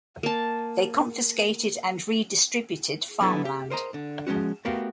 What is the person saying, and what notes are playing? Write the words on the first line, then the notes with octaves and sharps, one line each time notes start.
They confiscated and redistributed farmland.
A#3 A5
F#3 B3 D4 E4 G4 A4
G4
A#4 C5 D#5 A#5
D3
F3 G#3 A3 C#4 F#4
A3 B3 F#4 G4 A#4 F5